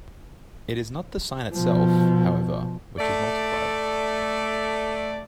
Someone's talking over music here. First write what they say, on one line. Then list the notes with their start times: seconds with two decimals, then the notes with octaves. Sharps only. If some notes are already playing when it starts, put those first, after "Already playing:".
It is not the sign itself, however, which has multiplied.
1.53 B2 F3
2.99 A3 D5